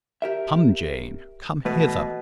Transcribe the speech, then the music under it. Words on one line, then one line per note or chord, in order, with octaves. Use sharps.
"Come, Jane--come hither."
G4 A#4 E5
B2 E3 A3 B4